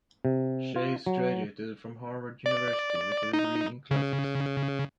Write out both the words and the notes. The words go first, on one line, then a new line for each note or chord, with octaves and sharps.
Chace graduated from Harvard University with a degree in Classics.
C3
F4
F#3
D5
D#4
C#3